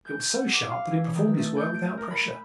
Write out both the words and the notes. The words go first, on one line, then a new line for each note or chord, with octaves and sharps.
It was so sharp that it performed its work without pressure.
G6
F#5
D6
F5
E3
D#3
A3
G6
D7
A#4
B5